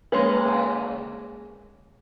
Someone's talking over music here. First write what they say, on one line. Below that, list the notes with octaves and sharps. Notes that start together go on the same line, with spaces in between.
I don't know.
G#3 A#3 C#4 B4